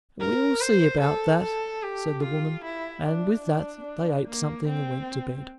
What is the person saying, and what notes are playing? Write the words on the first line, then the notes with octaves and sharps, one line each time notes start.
"We will see about that," said the woman, and with that they ate something and went to bed.
A#4
C5
A4
A4
G4
F4
E4
D4
D4
A#3
C4